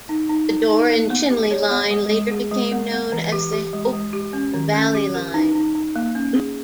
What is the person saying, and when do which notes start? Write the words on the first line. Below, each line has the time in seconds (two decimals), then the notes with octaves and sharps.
The Dore and Chinley line later became known as the Hope Valley Line.
0.09 D#4
0.29 D#4
0.49 D#4
0.70 D#4
0.90 A#3
1.10 B3
1.30 G4
1.51 C#5
1.71 B3
1.91 G#3
2.11 G#3
2.31 G#4
2.51 G#3
2.72 B3
2.92 B3
3.12 E3
3.32 G4
3.52 G4
3.73 G#3
3.93 G#3
4.13 G4
4.33 C#4
4.54 D#3
4.74 C#4
4.95 G4
5.15 A#4
5.34 D#4
5.55 D#4
5.75 D#4
5.96 A#3
6.15 C#4
6.35 G#4